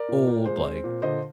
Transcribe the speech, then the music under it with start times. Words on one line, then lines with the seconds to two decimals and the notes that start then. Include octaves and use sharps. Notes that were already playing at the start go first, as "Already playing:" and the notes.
old, like,
Already playing: A#4 D5
0.09 A#2
0.27 A#2
0.45 G#3 C5
0.65 C4
0.84 A#2
1.02 D3 C5 D#5